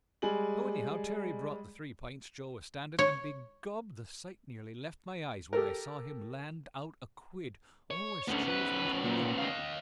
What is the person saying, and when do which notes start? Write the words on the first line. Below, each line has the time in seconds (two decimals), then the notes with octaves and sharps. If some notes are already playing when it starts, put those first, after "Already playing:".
So anyhow Terry brought the three pints Joe was standing and begob the sight nearly left my eyes when I saw him land out a quid O, as true as I'm telling you.
0.22 G3 G#3 G#5 F#7
2.99 C#5
5.53 G4 A4 A#4
7.91 C#5
8.28 D2 D3 B3 C#4
8.48 B4
9.05 A#2
9.38 D#5 F5